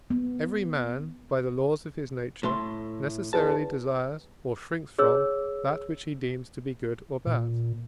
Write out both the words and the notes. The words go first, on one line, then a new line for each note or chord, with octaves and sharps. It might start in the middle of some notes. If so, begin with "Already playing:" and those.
Every man, by the laws of his nature, necessarily desires or shrinks from that which he deems to be good or bad.
B3
A2 A3 C6
E2 A5
G#4 C#5 E6
A#2